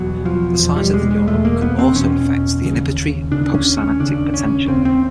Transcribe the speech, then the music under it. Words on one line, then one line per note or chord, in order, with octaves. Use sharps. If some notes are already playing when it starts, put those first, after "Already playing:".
The size of the neuron can also affect the inhibitory postsynaptic potential.
Already playing: E2 B2 F#3
F3
E2 B2 F3
G3
G#3
G#3
E2 B2 A3
A#3
B3
C4
E2 B2 C#4
D#2 C#3
D#2 C#3 D4
C#4
C#4
D#2 C#3 D4
C#4
D#2 C#3 C4
C4